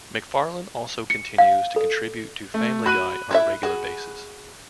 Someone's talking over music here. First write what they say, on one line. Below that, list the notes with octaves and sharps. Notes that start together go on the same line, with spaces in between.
MacFarlane also continues to contribute to "Family Guy", on a regular basis.
C#7
F5
A4
A3
F#4 B5 F#6 D#7
E4 A4 E5
F#4 G#4